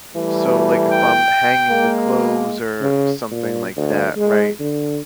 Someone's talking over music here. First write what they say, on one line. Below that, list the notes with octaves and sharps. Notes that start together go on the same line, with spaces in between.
so, like, if I'm hanging the clothes or something like that, right,
E3 G3 A3
G5
G#3 A#3
C#3
A#2
D2
G#3
D3